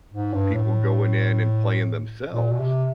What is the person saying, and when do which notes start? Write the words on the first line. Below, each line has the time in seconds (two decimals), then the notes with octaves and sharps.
people going in and playing themselves,
0.13 G#2
0.34 G2
0.54 A2
2.33 A#2
2.52 B2
2.60 C3